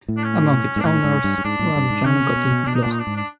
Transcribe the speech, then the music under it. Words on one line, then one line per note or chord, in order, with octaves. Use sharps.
Among its owners was Jan Gotlib Bloch.
A2
D4
C#4
G#2
D4
A2 C#4
G#2
G2
G2
G#2 D4
A2
G2
G#2
D3 C#4
C#3
B2
B2
B2 D4
D#4
A#2 D4
D#4
D4
G#2
D4